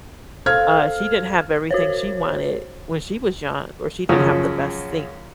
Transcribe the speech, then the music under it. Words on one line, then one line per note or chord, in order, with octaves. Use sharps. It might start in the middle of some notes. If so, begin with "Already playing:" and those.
uh, she didn't have everything she wanted when she was young, or she didn't have the best things.
A4 C5 F5 F6 G#6
F#4 C5 C#5
F#2 C#3 F3